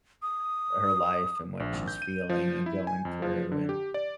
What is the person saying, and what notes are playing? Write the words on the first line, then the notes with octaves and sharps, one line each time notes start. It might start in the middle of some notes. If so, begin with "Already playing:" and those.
her life and what she's feeling and going through, and
D#6
A#1
G#1
G6
D#7
F3
E4
G#5
F2
F3
D3
G4
D5